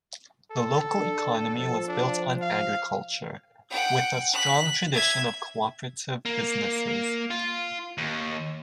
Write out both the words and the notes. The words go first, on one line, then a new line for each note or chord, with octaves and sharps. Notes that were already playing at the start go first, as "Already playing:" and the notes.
The local economy was built on agriculture, with a strong tradition of cooperative businesses.
A4
D3 D4
F3
D4
F5
F#5 G5
F#6 B6
E5 G#6
A#3
F4
D#2